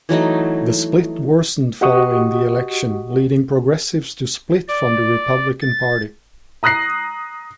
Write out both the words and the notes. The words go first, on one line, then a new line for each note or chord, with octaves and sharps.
The split worsened following the election, leading progressives to split from the Republican party.
E3 F#3 A3 D#4
F#4 G4 D#5 F#5 C#6 D#6
D5
A6
A#5 D#6 F#6 A#6 C7